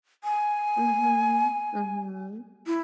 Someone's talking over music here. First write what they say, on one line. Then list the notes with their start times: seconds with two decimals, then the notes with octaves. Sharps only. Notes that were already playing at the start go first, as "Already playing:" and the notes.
Mhm, mhm.
0.24 G#5
2.66 E4